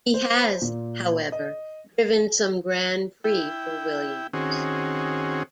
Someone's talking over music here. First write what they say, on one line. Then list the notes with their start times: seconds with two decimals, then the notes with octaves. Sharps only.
He has, however, driven some Grands Prix for Williams.
0.14 C5
0.62 A#2
1.32 D#5
3.24 E4 G5
4.33 D#3 C4 C#4 F#4 G#4